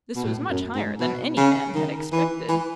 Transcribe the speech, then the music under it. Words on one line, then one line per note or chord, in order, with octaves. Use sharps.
This was much higher than any man had expected.
B2
A2
F#2
G#2
B2
C#3
D#3
E3
E3